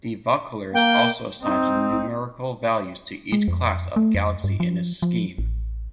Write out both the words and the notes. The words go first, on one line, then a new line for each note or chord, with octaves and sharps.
De Vaucouleurs also assigned numerical values to each class of galaxy in his scheme.
A#3 G5
C4 D#4
G#3
F2
A3
F2
G2
F3
F3
A1